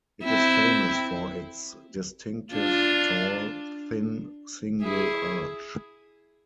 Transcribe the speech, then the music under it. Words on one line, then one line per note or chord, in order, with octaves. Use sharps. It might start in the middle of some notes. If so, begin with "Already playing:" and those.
It is famous for its distinctive tall thin single arch.
C4 E4
D4 F4
E4 G#4